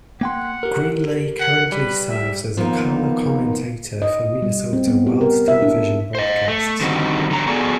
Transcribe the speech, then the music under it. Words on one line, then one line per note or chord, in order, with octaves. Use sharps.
Greenlay currently serves as a color commentator for Minnesota Wild television broadcasts.
A#3 F#5 G5 C6
G4 A#4
F#5
G3 B4
E5
D#2 F3 A#3 B3 D#4
D#5
G3
C4
B3
G4
A#4
E5
D4
C5 D#5
A3
D3 D#3 G3 C4 D#4 F#4
D3 E3 F#3 G3 A#5
B3 F#4 G#4 A4 D5